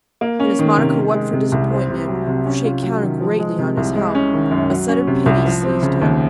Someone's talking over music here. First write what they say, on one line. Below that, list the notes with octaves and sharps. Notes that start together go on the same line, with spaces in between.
Then, as Monica wept for disappointment--for she had counted greatly on his help--a sudden pity seized him.
A#3
C#4
D#3
C3
D#3
G#3
C3
C2
C4
C3
F#3
C3
C#4
F4
F#3
D#3
F3
G#3
C3
C2
G#3
C#4
D#3
F#2
F#3
C#4
C3
C2
F3
C4
C#3
D#2